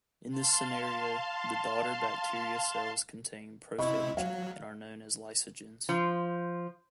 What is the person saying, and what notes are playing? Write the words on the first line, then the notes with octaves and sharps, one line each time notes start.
In this scenario, the daughter bacteria cells contain prophage and are known as lysogens.
F5 A5 C6
C3 E4 D#5 B5 C#6
F#3 F5
F3